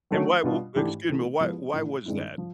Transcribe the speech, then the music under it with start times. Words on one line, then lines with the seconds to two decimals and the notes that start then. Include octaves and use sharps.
And why wo excuse me. Why why was that?
0.11 D#3 F#3 A3 C#4 F#4
0.43 B2 G3 B3 D4 F4
0.76 G#2 E3 A3 D4 G4
1.09 C3 E3 A3
1.41 F3 G#3 B3 E4 G4
1.73 A2 E3 A3 D4
2.06 G2 D#3 G#3 C4 E4
2.38 F3